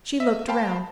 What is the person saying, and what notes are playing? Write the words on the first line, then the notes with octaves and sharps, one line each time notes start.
She looked around.
D#5 E5
C5 F5 G5 A5 B5